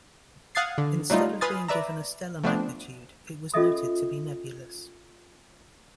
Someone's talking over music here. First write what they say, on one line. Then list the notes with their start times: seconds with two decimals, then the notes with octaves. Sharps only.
Instead of being given a stellar magnitude, it was noted to be nebulous.
0.55 F5 F#5 D#6 G#6 A6 C7
0.78 D3
1.10 F#3 G3 A3 D#4 F4
1.41 B4 G#5 C6 D#6 F6 A6
1.68 B4 D5 E5 A#5
2.44 F3 A3 B3 C4 D4
3.54 C#4 F4 A4 D#5 E5 D#6